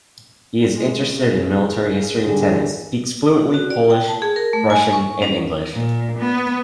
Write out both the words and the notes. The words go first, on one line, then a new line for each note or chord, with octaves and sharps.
He is interested in military history and tennis; speaks fluently Polish, Russian and English.
G#3
C#3
D3 G3 G#4
F#4
D5
G5
A5
G#4
A#4
A3
G#5
C#6
C#4
A#2
B3